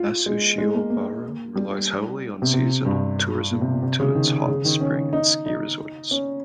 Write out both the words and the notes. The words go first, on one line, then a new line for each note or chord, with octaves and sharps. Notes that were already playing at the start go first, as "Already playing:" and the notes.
Nasushiobara relies heavily on seasonal tourism to its hot spring and ski resorts.
Already playing: F4
G#3
G#3
A#3
A#3
G3
C3
C3
G2
A#2
C3
A#2
C3
C#3
D#3
C#3
D#3
C#4
D#4
D#4
C#4